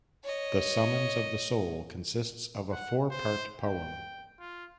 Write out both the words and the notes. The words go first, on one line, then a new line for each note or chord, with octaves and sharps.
The "Summons of the Soul" consists of a four-part poem.
C#5 D#5
F#5
C5
G5
F4